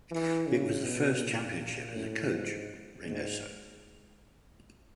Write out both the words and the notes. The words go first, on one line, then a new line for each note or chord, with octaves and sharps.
It was the first championship as a coach Reinoso.
E3
C#3
B2
A#2
A2
G#2
G#2